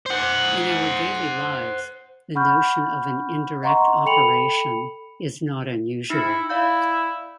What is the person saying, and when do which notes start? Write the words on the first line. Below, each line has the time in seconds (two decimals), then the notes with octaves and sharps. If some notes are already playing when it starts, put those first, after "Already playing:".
In our daily lives the notion of an "indirect operation" is not unusual.
0.06 C5 F#5
2.35 F#5 B5 C#6 F6 G6
3.63 D#5 F#5 A#5 C6 C#6
4.05 A4 G5 B5 C#7 F7 F#7
6.10 D#4 E4 A#6 C#7
6.50 E4 D5 F5 G6